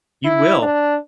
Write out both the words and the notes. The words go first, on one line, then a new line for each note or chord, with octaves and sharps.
you will.
E4
D4